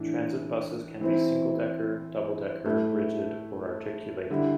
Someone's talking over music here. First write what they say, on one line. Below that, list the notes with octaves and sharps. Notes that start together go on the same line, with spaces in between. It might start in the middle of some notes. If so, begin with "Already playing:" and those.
Transit buses can be single-decker, double-decker, rigid or articulated.
Already playing: A2 E3 D4
E3 C4 E4
A2 A3 E4
D3 G3 E4